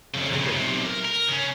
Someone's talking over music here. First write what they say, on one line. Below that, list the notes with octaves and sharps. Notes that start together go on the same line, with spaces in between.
kind of
F2 C#3
A#2 C#3
B1 C3
A#4
A#4
C#3 C#4